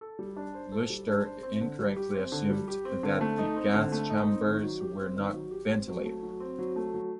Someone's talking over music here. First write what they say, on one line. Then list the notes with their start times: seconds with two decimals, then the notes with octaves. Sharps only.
Leuchter incorrectly assumed that the gas chambers were not ventilated.
0.01 A4
0.19 G3
0.36 D4
0.54 C5
0.72 A4
0.90 G3
1.08 D4
1.25 C5
1.43 C4
1.61 D3
1.79 G3
1.96 G4
2.14 C4
2.32 D3
2.50 G3
2.68 G4
2.85 C4
3.03 D3
3.21 A3
3.38 D#4
3.56 C4
3.74 D3
3.92 A3
4.10 D#4
4.28 C4
4.45 D#3
4.63 F#3
4.81 G4
4.98 C4
5.16 D#3
5.34 F#3
5.51 G4
5.69 C4
5.87 F#3
6.05 A3
6.23 F#3
6.40 C4
6.59 F#3
6.76 A3
6.94 F#3